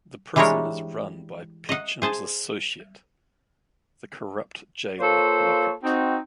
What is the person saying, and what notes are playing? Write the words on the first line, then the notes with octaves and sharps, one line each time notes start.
The prison is run by Peachum's associate, the corrupt jailer Lockit.
E3 G3 G#3 D4 A#4 C#5
D#5 F#5
G#4 C5 A5
A#3 F4 A4 C5 C#5
C4 D#4 F#4